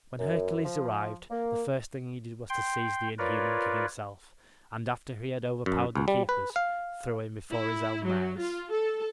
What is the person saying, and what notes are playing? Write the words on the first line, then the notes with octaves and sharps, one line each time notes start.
When Hercules arrived the first thing he did was to seize the inhuman king himself and after he had overpowered the keepers, throw him before his own mares.
F#2
F3
A#3
G5 C6
F4 A#4 B4 C#5 D5
F#2
C#2
G3
B4
F5
E4
F#3
F4
A4